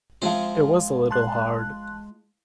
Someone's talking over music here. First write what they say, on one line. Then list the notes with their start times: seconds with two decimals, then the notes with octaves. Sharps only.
It was a little hard.
0.22 F3 G#3 C4 F4 C5 E5
1.11 A5 C6 F#6